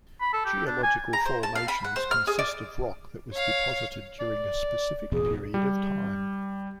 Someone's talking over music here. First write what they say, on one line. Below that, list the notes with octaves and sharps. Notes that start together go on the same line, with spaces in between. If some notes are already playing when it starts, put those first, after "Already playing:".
Geological formations consist of rock that was deposited during a specific period of time.
B5
A4
G4
D4
G#5
A#5
C5
A5
F5
B5
F#5
C5
F6
G#4
D5
C#5 F5
D5
E1 A1 B2 G#4
G3